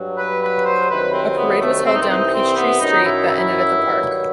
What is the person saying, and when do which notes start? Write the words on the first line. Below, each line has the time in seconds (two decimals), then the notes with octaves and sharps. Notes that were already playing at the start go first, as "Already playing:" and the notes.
A parade was held down Peachtree Street that ended at the park.
Already playing: G2 F#3
0.17 B4
0.41 B4
0.65 C5
0.89 C2 C3 D#3 F#3 B4
1.13 C4
1.36 B3
1.60 A3
1.84 C2 C3 E3 C4
1.93 D#4
2.00 C4
2.08 D#4
2.33 C4
2.56 B3
2.80 F#2 D#3 F#3 D#4
3.04 E4
3.28 E4
3.76 G2 D#3 F#3